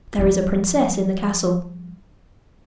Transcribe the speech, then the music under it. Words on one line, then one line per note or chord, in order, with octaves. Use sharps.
'There is a princess in the castle.
F3 G3